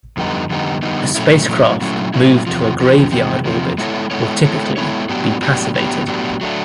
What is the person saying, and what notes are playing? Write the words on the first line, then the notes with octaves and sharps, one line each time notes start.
A spacecraft moved to a graveyard orbit will typically be passivated.
F2 D3 G3 B3 D#4
F2 D3 G3 B3 D#4
F2 D3 G3 B3 D#4
A#2 F#3 A3 C#4 E4
A#2 F#3 A3 C#4 E4
A#2 F#3 A3 C#4 E4
A#2 F#3 A3 C#4 E4
E2 C3 F3
E2 C3 F3
E2 C3 F3
E2 C3 F3
G#3 B3 E4 A4 C#5
G#3 B3 E4 A4 C#5
G#3 B3 E4 A4 C#5
G#3 B3 E4 A4 C#5
A2 F#3 B3 D4 G4
A2 F#3 B3 D4 G4
A2 F#3 B3 D4 G4
A2 F#3 B3 D4 G4
F#3 A3 D4